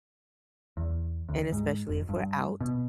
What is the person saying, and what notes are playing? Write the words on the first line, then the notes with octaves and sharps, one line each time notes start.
And especially if we're out
E2
D2
G#2
F1
G2
B2